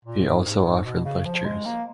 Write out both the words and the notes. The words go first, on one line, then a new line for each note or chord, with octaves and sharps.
He also offered lectures.
A#2
G#2
G#2
G#2
B2
C#3
F3
G#3
A#3